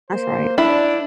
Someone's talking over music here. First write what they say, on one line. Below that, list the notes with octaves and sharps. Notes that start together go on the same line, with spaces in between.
That's right.
A#3 C5
D4 E4